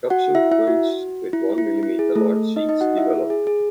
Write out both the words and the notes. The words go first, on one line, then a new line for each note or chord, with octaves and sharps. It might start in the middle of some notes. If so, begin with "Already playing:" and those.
Capsule fruits with one millimeter large seeds develop.
F#4 F#5
E4 E5
E4 E5
F#4
E4
E4
E4
G#4
A3 A4
D#4 D#5
D#4 D#5
F#4 F#5
E4 E5
G#4
G#4
G#4